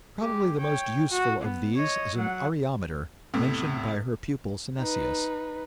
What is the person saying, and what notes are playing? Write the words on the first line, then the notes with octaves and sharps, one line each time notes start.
Probably the most useful of these is an areometer mentioned by her pupil Synesius.
G#3 G4
C#5 G5
F#4
B3
C#5 D#5
F#3 F#5
E2 A2 C3
D#4 B4